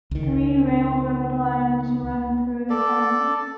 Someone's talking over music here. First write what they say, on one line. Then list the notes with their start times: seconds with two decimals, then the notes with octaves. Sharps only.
Three railroad lines run through the county.
0.11 C#2 D#3
2.70 A4 D5